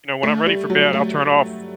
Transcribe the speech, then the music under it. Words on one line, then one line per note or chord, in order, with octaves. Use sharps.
you know, when I'm ready for bed, I'll turn off
A3
G3
F#3
A3